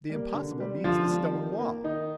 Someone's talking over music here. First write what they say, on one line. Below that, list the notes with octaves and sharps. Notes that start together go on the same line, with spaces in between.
The impossible means the stone wall!
G3 A#3
D3
G3 C4
D3 F3 F4
G3 C4
D#3
A#3
D#3 D#4